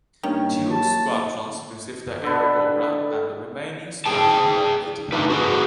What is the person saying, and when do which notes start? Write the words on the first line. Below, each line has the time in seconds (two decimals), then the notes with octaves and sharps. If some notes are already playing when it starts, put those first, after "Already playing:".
Two squadrons received the Airacobra and the remaining squadron the Kittyhawk.
0.23 G2 D#3 A#3 C#4
0.71 F#3 A5
2.22 D3 A4 B4
4.06 G#4 G5 A5
5.12 D3 A3 D#4 B4
5.30 F#4 G#4 B4